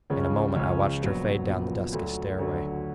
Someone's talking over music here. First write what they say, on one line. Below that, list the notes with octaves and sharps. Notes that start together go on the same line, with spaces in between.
In a moment I watched her fade down the dusky stairway.
C#2 C#3 F3 G#3 C#4
C#2 C#3 F3 G#3 C#4
A#1 A#2 F#3 B3
A#1 A#2 F#3 B3
D2 D3 F#3
D2 D3 F#3